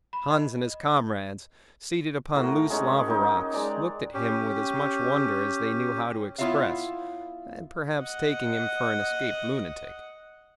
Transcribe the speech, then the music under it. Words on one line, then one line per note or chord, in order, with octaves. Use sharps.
Hans and his comrades, seated upon loose lava rocks, looked at him with as much wonder as they knew how to express, and perhaps taking him for an escaped lunatic.
B5
D#5
A2 F#4 A#4 C6
G#3 C#4 D#4
D#4 G4
G#3 D5 A#5
C#4 G4
B3 E4 F4 C#5 E5 F5
D#5 F#5